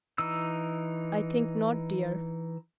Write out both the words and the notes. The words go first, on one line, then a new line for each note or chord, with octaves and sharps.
'I think not, dear.
E3 D#4 E6